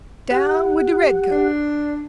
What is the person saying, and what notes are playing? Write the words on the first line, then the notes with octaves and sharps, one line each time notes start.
Down wid de redcoats!
G4 F#5
D4